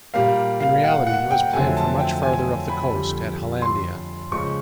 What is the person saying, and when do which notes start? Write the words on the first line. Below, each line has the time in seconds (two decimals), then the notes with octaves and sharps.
In reality it was planned for much farther up the coast, at Hollandia.
0.14 A#2 G3 A#3 F5
0.60 F5
0.84 F#5
1.07 F#5
1.31 G5
1.53 F2 D3 F#3 A3 C4 G#5
1.77 A5
1.99 G5
2.23 G#5
2.69 B5
2.93 F2 D3 G3
3.62 C6
4.32 C#2 C#3 F3 C#6